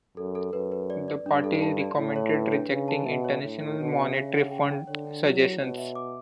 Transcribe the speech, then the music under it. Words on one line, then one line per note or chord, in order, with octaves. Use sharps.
The party recommended rejecting International Monetary Fund suggestions.
F#2 A4
A4
F#2 B4
B4
D5
D5
G2 D4
A4
A5
D5
A2 E4
C#5
B4
D4
C#3 B4
A5
B2 E5
C#5
A2 D4
C#5
B2 D4
E5
C#3 C#5
F#5
G5
G5
D3 C#5
D4
F#3 E4
C#5
B2 C#5
E5
D6